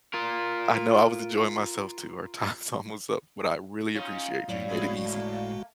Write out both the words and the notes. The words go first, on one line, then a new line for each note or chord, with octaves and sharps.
I know, I was enjoying myself too. Our time's almost up, but I really appreciate you, you made it easy.
F4 A#4
C#4 D#4 F4
F#2 A2 F#3 C#5 D5 F5
G1 G#3 E4 F#4 G#4
A3 A#3